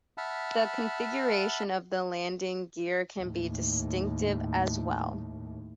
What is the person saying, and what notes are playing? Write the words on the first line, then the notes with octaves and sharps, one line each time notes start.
The configuration of the landing gear can be distinctive, as well.
E5 F#5 A5 B5 F6
D#2 A2